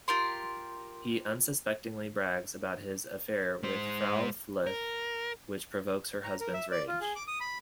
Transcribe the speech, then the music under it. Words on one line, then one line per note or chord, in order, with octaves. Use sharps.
He unsuspectingly brags about his affair with Frau Fluth, which provokes her husband's rage.
F4 G4 A#4 C6
G#3 C5
A#4
A#5
A#4
E5
D5
F4
G#4
D6
D#6
B5